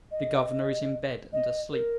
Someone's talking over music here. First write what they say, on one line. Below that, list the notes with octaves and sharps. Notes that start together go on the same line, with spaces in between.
"The governor is in bed, and asleep."
D#5
D#5
A#4